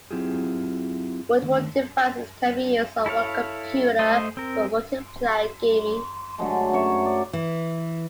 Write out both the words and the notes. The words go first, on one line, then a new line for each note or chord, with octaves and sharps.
Multiple devices can be used on one computer for multiplayer gaming.
F#3 C4 E4 F4 G4 G#4
D3 D#3 A3
E4 A4 C#5 F5
A3 C5 D#5
C4 A#4
C6
D3 F#3 G#3 A3
F#2 C#5 E5
D5
E3